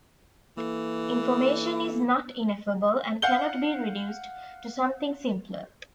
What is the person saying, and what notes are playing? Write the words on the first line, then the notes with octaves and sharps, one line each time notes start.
Information is not "ineffable" and cannot be reduced to something simpler.
E3 A#3 A4
F5 F#5 G6 G7